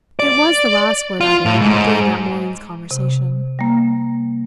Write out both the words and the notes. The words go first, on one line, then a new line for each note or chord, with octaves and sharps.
It was the last word uttered during that morning's conversation.
D5
F4
A2
G#2
C3
G3 A#3